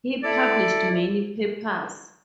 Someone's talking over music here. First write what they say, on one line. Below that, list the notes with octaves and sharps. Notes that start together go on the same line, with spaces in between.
He published many papers.
E4 A4 D5